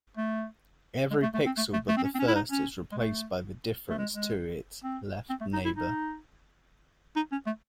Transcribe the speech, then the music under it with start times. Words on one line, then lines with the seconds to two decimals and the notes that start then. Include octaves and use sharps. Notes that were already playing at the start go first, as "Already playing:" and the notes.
Every pixel but the first is replaced by the difference to its left neighbor.
0.17 A3
1.11 G#3
1.23 A3
1.34 A3
1.46 C4
1.57 A3
1.73 A3
1.88 A3
1.97 C4
2.04 C#4
2.15 C4
2.19 C#4
2.27 E4
2.35 D#4
2.51 C#4
2.92 G#3
2.97 A3
3.90 A3
3.98 G#3
4.13 G#3
4.84 C4
5.30 C4
5.41 A3
5.53 D#4
5.65 E4
5.76 D#4
7.16 D#4
7.32 C#4
7.46 A3